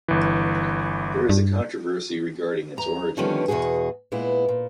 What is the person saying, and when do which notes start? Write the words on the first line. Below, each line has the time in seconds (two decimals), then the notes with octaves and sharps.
There is a controversy regarding its origin.
0.08 G1 E3
1.29 G2
2.77 E2 A#5
3.17 D3 D#3 F3 G3 B3 C#4
3.48 E2 G2 B2 F#4 G#4
4.12 A#2 G#3 B3 E4
4.48 A#2